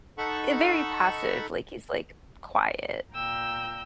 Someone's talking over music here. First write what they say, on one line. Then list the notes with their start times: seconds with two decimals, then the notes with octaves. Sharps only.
eh, very passive, like, he's, like, quiet.
0.18 D#4 A4 F#5 A5 B5 C#6
3.13 A#2 G5 A#5 E6 G6